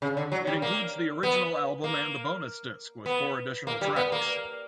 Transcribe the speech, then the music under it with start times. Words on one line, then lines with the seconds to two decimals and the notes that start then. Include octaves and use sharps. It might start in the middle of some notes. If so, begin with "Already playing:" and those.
It includes the original album and a bonus disc with four additional tracks.
0.02 C#3
0.17 D3
0.32 F#3
0.47 G3
0.62 A#3
1.23 B3
1.84 A#3
3.06 B3
3.67 A#3
3.81 G3
3.96 B3
4.12 A#3